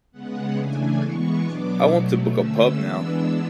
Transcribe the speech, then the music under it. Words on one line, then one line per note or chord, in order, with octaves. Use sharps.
I want to book a pub now.
C#3 G#3 B3 F#5
C#3 E3 A3 D4 G#5
E3 G#3 B3 C#6
B2 F#3 B3 D4 D6
B2 F#3 A3
D3 A3 C#4 E6
E3 G#3 B3 D4 E6